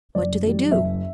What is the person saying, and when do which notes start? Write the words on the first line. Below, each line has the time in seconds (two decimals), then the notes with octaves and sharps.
"What do they do?"
0.15 F#1 D5
0.43 F#2 E3 G3
0.71 F#1 E5